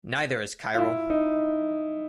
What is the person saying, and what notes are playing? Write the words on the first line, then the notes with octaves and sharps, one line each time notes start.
Neither is chiral.
F4
E4
D#4